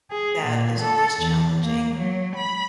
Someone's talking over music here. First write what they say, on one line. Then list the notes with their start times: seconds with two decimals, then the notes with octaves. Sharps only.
that is always challenging,
0.10 G#4
0.43 A#2
0.80 A4
1.21 E2
1.63 A#3
1.96 F#3
2.36 B5